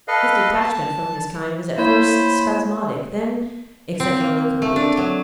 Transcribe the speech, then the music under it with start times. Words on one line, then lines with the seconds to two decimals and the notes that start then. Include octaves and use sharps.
His detachment from his kind was at first spasmodic, then exceptionally complete.
0.08 A4 B4 D#5 F5
0.61 A5
1.78 A#3 E4 C5 C#5 B5
4.00 C4
4.20 A#3
4.62 A3
4.76 D4
4.97 F#3